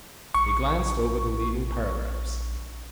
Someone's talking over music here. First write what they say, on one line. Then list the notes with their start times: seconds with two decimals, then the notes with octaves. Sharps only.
He glanced over the leading paragraphs.
0.34 A#1 C#6